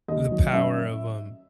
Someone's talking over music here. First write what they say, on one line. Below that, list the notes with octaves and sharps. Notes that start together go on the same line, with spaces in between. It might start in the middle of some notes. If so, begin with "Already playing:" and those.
the power of, um,
D#2 D#5
D#3 F#3
F#2 E5